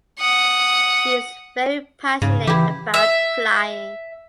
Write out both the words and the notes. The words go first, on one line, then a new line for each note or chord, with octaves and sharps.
She is very passionate about flying.
F#5 D#6
G#2 C#3
E3 E4 G4
E5